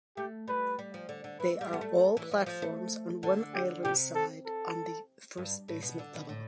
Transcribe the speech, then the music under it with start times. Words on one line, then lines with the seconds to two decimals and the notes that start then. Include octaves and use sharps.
They are all platforms on one island side on the first basement level.
0.17 A3 G4
0.48 G3 B4
0.79 G3
0.94 F3
1.09 D3
1.24 D3
1.40 E3 B4
1.61 G3
1.71 B3 A4
1.81 A3
2.17 E3
2.32 F3
2.46 F3
2.62 A3
3.23 D3 A4
3.54 G4
3.84 C3 G4
4.15 A4
4.46 A4
5.37 G2
5.68 A2
5.83 B2
5.99 D3
6.14 B2
6.29 A2